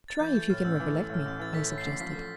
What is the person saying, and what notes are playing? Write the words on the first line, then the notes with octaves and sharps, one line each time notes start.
"Try if you can recollect me," I suggested.
A6
E3 G6
A3 G6
A2 F6
A1 E6
E3
A3
A2 F6
A1 G6
E3 A6
A3 B6
A2
C7
A1
F3 B6
A3